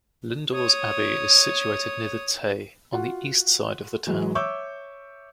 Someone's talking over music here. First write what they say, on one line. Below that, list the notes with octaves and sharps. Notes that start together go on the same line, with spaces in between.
Lindores Abbey is situated near the Tay, on the East side of the town.
C#5 D#6
F4 F#4 F#5
E3 F#3 G#3
C#5 E5 C#6 D6 E6 G6